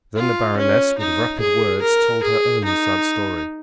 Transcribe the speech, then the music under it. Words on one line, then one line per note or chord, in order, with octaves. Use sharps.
Then the Baroness, with rapid words, told her own sad story.
F4
C#4
D#4
G#4
A#4
G#4
D#4